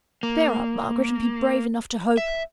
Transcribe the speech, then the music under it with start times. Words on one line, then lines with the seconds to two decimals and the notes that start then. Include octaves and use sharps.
Bear up, Margaret, and be brave enough to hope!'
0.23 A#3
2.17 E5